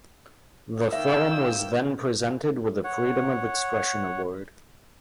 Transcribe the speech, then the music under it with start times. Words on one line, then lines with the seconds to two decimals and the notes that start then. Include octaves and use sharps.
The film was then presented with the Freedom of Expression Award.
0.92 D#3 A#3 E5 G5 E6
2.84 C#5 F#5